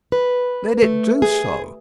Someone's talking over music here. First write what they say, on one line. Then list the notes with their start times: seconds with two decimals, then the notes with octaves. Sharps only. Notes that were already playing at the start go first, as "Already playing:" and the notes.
"Let it do so."
0.12 B4
0.83 A3
1.22 G#4